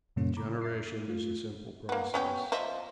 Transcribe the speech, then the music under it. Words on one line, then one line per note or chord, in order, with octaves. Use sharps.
The generation is a simple process.
F#2 A#2 C#3 G3 A#3 C#4
A#5 B5 D6
E5 A6 B6 C7
A3 F4
A#3 B3
B3 C#4 G4
F3 D#5 E5